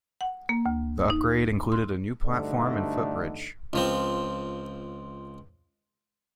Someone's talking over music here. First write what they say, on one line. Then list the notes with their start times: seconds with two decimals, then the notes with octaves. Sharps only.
The upgrade included a new platform and footbridge.
0.21 F#5
0.49 A#3
0.66 D2
1.10 D#4
1.72 C6
2.24 D2 G2 D3 A3 D4 D#4
3.73 C#2 F3 C4